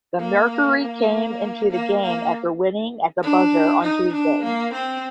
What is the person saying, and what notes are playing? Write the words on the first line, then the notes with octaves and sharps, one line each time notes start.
The Mercury came into the game after winning at the buzzer on Tuesday.
A#3
A#3
A#3
A#3
D4
D#4
D4
A#3
C4